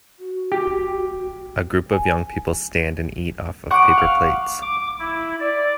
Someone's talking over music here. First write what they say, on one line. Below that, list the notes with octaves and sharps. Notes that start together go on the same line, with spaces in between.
A group of young people stand and eat off of paper plates.
F#4
G4
G#5
F#5 C#6 D6 D7
F5
D6
E4
D5